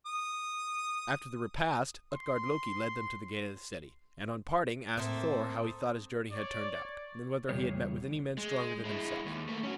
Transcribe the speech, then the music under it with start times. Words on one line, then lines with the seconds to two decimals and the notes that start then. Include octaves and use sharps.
After the repast Utgard-Loki led them to the gate of the city, and on parting asked Thor how he thought his journey had turned out, and whether he had met with any men stronger than himself.
0.06 D#6
2.13 C6
4.97 A2 A#3 C4 A4 C5 E5 D#6
6.31 C#5 D5
7.49 E2 G2 C#3 G3 G#4 C#5
8.38 G#3
8.85 G#3 E4
9.26 D#2
9.49 A3 A#3
9.63 C#4 F#4